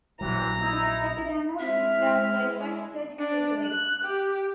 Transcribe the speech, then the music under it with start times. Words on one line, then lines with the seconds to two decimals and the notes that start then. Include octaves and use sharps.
Despite the damage, repairs were effected quickly.
0.21 A#1 C3 E3 F#3 A#5
0.61 D#4 E4
1.59 G#3 C4 E4 E5 F6
3.19 D4
3.64 F#6
4.04 G4